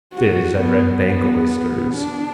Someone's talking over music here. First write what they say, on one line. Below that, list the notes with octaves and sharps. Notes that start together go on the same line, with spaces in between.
Fizz and Red bank oysters.
F#4
B3
B3
D4